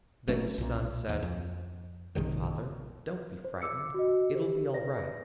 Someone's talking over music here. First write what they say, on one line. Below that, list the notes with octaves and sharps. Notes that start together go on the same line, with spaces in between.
Then his son said, 'O father, don't be frightened, it will be all right.
F#1 F#2 A3 C#4
B1 A#2
D#2
F2
A#1 F#2 C3 D#3
C5
D6 E6 C#7
F#4 D#5
G4 C5
B4 D5 A#6